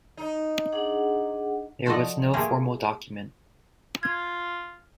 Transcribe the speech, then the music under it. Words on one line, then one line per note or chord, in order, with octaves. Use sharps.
There was no formal document.
D#4
D4 G#4 F#5
F3 F#4 A4 D5 D#5
A3 A#3 F4 G4 G#4 A#4
F4 G#6